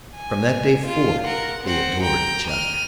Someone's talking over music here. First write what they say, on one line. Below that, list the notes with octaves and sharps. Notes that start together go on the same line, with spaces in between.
From that day forth, they adored each other.
G#5
F4
A#4 F#5
C4 F#5
G5 A#5
F6 D#7